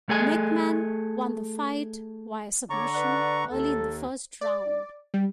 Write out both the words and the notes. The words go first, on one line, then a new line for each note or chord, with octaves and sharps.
McMann won the fight via submission early in the first round.
A3 G#4 A4 G#5
D3 C#5 D5 A#5 C#6
B4 D5 F#5
D#2 A4
D5
G3